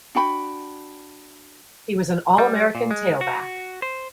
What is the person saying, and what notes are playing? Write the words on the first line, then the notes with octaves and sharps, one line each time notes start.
He was an All-American tailback.
D4 F#4 G5 B5
G3
A#2
G#3
F#4
C5